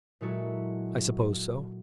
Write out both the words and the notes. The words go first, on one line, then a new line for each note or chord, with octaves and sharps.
"I suppose so."
A#2 F#3 G#3 E4 F#4 A4